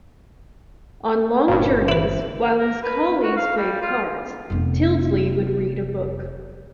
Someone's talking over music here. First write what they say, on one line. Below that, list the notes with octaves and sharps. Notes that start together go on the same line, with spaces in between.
On long journeys, while his colleagues played cards, Tyldesley would read a book.
G1 G2 A#2
E4 B4
A#4
B4
F#4
F5
G3
F4
F1 B3